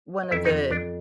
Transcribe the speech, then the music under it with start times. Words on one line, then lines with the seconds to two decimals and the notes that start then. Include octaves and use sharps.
one of the
0.23 D#5
0.31 F2 E4 E5
0.45 D#4 D#5
0.51 F2
0.70 F2 D4 D5